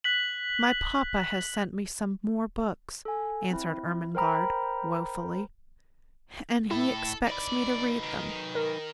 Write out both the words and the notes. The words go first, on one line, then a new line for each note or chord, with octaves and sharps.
"My papa has sent me some more books," answered Ermengarde woefully, "and he expects me to read them."
F#6 B6 F#7
A4 G#5
C4 E4
A#4 C5 G5 A#5 B5
A2 E4 A4
D#4 B4 D5
D#3
A#4